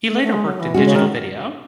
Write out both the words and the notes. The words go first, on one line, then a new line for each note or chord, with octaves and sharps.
He later worked in digital video.
A3
A3
G#3
F#3
E3
G#3 C#4 F#4
C#3
D#3